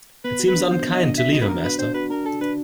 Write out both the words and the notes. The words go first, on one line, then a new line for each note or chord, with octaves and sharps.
It seems unkind to leave him, Esther.
B3 B4
F#4
B4
D4
B3 C5
B3
D#5
D4
F#4 E5
F#4 D#5
B4
D4 A#4
D4 B4
D4 C5
F#4 B4
D4 A#4
D4 A4
D4 B4